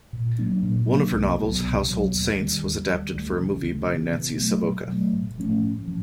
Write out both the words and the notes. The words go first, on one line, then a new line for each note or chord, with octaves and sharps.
One of her novels, "Household Saints", was adapted for a movie by Nancy Savoca.
A#2
F#3 A#3 D4
A#2
F#3 A#3 D4
C2
B2 F#3
C2
B2 F#3
D#2
D#3 G3
D#2
D#3 G3
D2
C#3 E3
D2
C#3 E3
B2
F#3 A3
B2
F#3 A3
A2
F3 A3 C#4
A2
F3